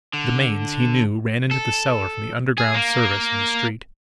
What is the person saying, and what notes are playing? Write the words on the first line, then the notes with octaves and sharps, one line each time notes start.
The mains, he knew, ran into the cellar from the underground service in the street.
D3
A4
G#4
A#3